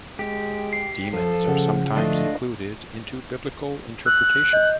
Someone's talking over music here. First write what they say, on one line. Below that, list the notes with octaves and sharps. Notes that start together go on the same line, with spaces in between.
Demons are sometimes included into biblical interpretation.
G#3 G4
C7
F3 A4
C#3 F#5
D3 F3 A3 D4 F4 D#5
E6 F#6
D#5 G6